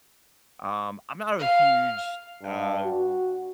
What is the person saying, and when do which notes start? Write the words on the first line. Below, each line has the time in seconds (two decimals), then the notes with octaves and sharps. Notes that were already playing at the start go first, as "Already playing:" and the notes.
um, I'm not a huge, t uh
1.39 F5
2.43 G2
2.85 F#4